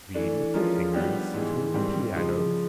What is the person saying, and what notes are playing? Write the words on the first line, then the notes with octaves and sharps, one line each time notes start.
Read with their fingers. Tune pianos.
E3 A3 D4
F3 G#3 C#4 F4 A#4
D#3 G3 B3 D4 G4
G#2 E3 G#3
G#2 D#3 G3 C4
C#3 F3 G#3